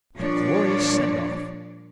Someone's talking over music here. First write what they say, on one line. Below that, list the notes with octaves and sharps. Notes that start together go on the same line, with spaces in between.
What a glorious send- off!
A#2 F3 G3 D4 C#5 D5